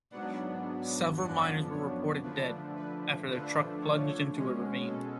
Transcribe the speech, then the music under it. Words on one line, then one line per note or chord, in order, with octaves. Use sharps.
Several miners were reported dead, after their truck plunged into a ravine.
G#2 F#3 B3 D4 F#5
F#2 F3 B3 D4 F#5
C#5
D3 F3 A3 D4 B4
B4
D3 F3 A3 D4 B4
C#5
B2 G#3 C#4
A4